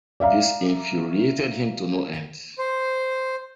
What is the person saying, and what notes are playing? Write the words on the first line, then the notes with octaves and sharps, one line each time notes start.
This infuriated him to no end.
D5 E5 F5 A#5
C5